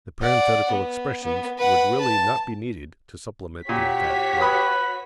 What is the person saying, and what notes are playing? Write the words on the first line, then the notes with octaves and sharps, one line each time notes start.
The parenthetical expressions would really not be needed to supplement the emphatic words.
D5 F#5
B3
B3
B4 F#5
A5
A#2 F#4 G4 C#5 B6
B4 B5 D#6